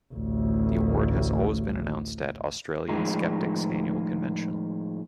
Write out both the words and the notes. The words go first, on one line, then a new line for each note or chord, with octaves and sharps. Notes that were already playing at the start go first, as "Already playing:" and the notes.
The award has always been announced at Australian Skeptics' annual convention.
A1 D2
A2 D#3 F3 G#3